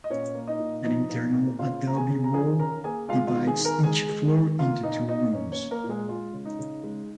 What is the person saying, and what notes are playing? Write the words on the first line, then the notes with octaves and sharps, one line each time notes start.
An internal adobe wall divides each floor into two rooms.
D#5
A#2 C#4 C#5
A#3
D#4 D#5
A#2
F3 D#4 D#5
A#2
A#3
C#3 F4 F5
A#3 A#5
G#4 G#5
C#3
A#5
F3 G#4 G#5
C#3 A#4 A#5
A#3 G#4 G#5
G#3 F4 F5
F4 F5
D#3
G#4 G#5
D#3
A#4 A#5
G#3 G#4 G#5
G#3
D#3
A#3 F4 F5
A#2 D#4 D#5
A#2 D#4 D#5
A#3 C#4 C#5
C#4 C#5
A#3
A#3 A#4
A#2
G#3 G#4
G#3 F4
C#3
D#4
C#3
G#3